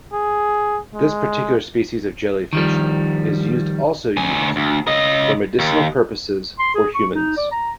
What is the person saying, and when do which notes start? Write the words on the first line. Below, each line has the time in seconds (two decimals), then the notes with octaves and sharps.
This particular species of jellyfish is used also used for medicinal purposes for humans.
0.13 G#4
0.94 G#3
2.53 D#3 F3 G3
4.17 D2 G#5
4.56 D2
4.87 C#3 D#5
5.59 D#2
6.59 C6
6.75 G#4
6.95 C#6
7.14 D#4
7.37 D5
7.52 A#5